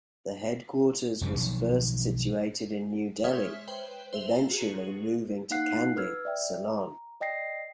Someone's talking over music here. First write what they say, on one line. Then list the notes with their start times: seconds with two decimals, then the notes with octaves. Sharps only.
The headquarters was first situated in New Delhi, eventually moving to Kandy, Ceylon.
1.21 F1 F#2 A#2 C#3
1.35 B1 D#3 F3
3.24 G#3 C5 C#5 E5 F6 B6
3.67 B4 C5 G5
4.13 C5 E5 F7 F#7
4.32 A5 A#5
4.49 F4 F#4 G#4
5.50 A#3 D#4 F5 F#5 F#6 C7
5.96 B4 E6 F6 G#6
6.25 D5 E5 G5
6.68 A#5
7.21 D5 D#5 G5 A#6 C7